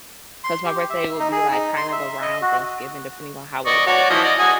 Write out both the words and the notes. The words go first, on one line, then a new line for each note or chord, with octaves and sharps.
'cause my birthday will be, like, kind of around Thanksgiving, depending on how it, like,
C6
G4
E5
D#4
G#4
D#4
C6
E5
D#5
F#4
D5 D#5 C#6
F#4 C#5 D5
E3 F3 D#5
D5 D#5
F#4 G#5 D#6